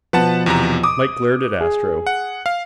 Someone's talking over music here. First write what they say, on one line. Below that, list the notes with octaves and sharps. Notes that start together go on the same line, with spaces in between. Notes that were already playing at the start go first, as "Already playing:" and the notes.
Mike glared at Astro.
B2 F3 B4 F#5 A5
E2 C3 A#5
D6 D#6
G#4
F#5
F5